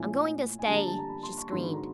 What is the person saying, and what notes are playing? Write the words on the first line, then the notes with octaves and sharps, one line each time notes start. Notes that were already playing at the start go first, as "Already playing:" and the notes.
"I'm going to stay!" she screamed.
Already playing: A#2 F3 A3 C#4 E4 G#5
G#5
D3 G3 A#3 D4 A5
A#5
A5
A#5
B5
C6
C#6
G#2 D#3 F#3 B3 D4 C6
B5
A#5